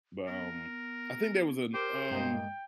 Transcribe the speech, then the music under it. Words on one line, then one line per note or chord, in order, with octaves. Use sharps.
But, um, I think there was an, um
B3 A#4
G4 A#4 C5 D6
G2 G#3 A#3 D#5 G5